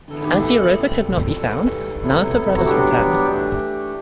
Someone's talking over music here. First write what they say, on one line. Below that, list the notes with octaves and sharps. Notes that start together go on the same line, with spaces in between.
As Europa could not be found, none of the brothers returned.
A2 E3 B3 E4 A4
G4
A4
A2 G3 C4
A2 E3 G3
C3 F#3 B3 E4
F#4
F#3 B3 D4 G4
E3 A3 D4